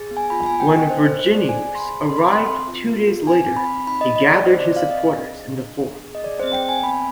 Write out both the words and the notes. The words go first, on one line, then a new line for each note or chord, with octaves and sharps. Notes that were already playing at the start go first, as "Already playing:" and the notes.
When Verginius arrived two days later he gathered his supporters in the Forum.
Already playing: G#4
B3
G#5
F4 B5
G#5
B3
G5
B3
D#5
D4 C5
C5
D4
C5
B3 D5
G#4 G#5
G#4
C6
B5
G#4
C4 C6
B5
C4 C6
C4
F4
B3
F4
C4 G#5
C4
B5
C4
D#4 B5
D#5
B3
D#5
D#4 D5
C4 C5
D5
C4
F5
C4
D#5
D4
G#4
D4
D4
B3
G#4
D#5
G#4 D5
C5
C4
G5
C4 G#5
B3 B5